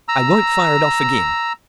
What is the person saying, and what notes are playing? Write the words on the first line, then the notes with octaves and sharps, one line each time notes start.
"I won't fire it off again."
A#5 E6